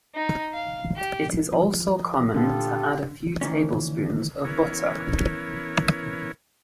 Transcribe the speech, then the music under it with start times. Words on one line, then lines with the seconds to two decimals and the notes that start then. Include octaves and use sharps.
It is also common to add a few tablespoons of butter.
0.15 D#4
0.54 F5
0.96 G4
1.53 F3
1.97 D#5
2.34 A#2 D3 B3 F4 G4 A4
3.41 D2 D#3 E3 C#4
4.45 E3 B3 C#4 E4 A#4 C#5